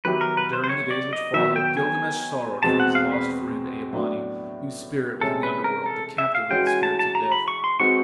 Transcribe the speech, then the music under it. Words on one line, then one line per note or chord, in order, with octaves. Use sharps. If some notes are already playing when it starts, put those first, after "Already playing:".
During the days which followed Gilgamesh sorrowed for his lost friend Ea-bani, whose spirit was in the Underworld, the captive of the spirits of death.
D#3 F#3 B3 E4 G4 B4
A#4
B4
C5
C5
C#5
D5
D#5
D#3 F#3 B3 E5
G5
G#5
E2 B2 G#3 C4 A5
F#5
F5
B4
A2 F#3 B3 D4
C3 E3 G#3 C#4 A4
B4
A#4
A4
E5
F5
E3 G#3 C#4 F#4 G5
G#5
A5
A5
A#5
B5
C#6
C6
G#3 C4 D#4 F#4 B4 C#6